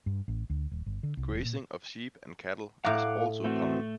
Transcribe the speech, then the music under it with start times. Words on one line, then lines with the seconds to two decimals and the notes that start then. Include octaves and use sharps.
Grazing of sheep and cattle is also common.
0.06 G2
0.28 A1
0.50 D2
0.71 D#1
0.86 G1
1.03 D3
1.17 C2
1.32 E1
1.44 A#2
2.85 A2 F5 F#5 A#5 D6
3.44 E3 A3 C4 F#4